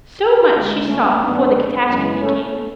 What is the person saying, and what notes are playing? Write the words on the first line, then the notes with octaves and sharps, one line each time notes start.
So much she saw before the catastrophe came.
D2 C#3 G#3
A3 C#4
F#2 D3 F#3 B3 D4
F#2 C#3 E3 G#3
A3 C#4